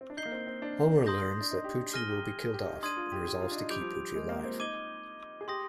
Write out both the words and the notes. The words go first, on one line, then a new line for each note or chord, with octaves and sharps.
Homer learns that Poochie will be killed off, and resolves to keep Poochie alive.
C4
D4
D#4 G6 C7 G7
A#3
C4
C4
D4
C6 D#6 G6 A#6
D4
D#4
G4
G#4 F6 A#6 D#7 G7
G4
G4
G#4
G4
D#4
D4 C6 D#6 G#6 D#7
F4
G4
G4
F4
D4
D#4
G3 D6 G6 D7 F7
F3
G3
G#3
A#3
C4
D#4 D6 G#6 D#7 G7
G#4
G4 C6 D#6 A#6